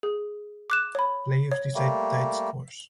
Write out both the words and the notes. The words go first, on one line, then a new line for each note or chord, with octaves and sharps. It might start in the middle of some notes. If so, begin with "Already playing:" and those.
Playoffs decide tied scores.
G#4
D6 F#6 E7
C#5 B5
C#5
G3 A3 A#3